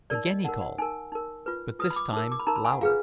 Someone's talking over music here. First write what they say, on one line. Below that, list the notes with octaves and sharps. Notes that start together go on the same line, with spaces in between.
Again he called, but this time louder.
D#4 A#4 D5
D#5
D#4 A#4 F#5
F#5
D#4 A#4 G#5
D#4 A#4
F4 B4
F4 B4 D#6
B5
D6
D#4 A#4
D6
B5
D#4 A#4 A#5
B5
G#5
F#5
F4 G#4 B4 F5